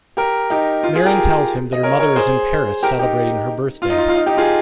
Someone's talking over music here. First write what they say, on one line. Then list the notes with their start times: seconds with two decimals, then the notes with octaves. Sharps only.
Marin tells him that her mother is in Paris celebrating her birthday.
0.17 G4 A#4
0.50 D#4 G4
0.83 F4
0.95 F4 G#4
1.05 G4 A#4
1.72 D#5
1.83 A#4 C#5
2.00 A#4 C#5
2.16 G#4 C5
2.83 G4 A#4
2.99 D#4 G4
3.82 F4
3.90 D#4
3.98 F4
4.09 F4
4.16 D#4
4.26 D#4 G4
4.37 F4 G#4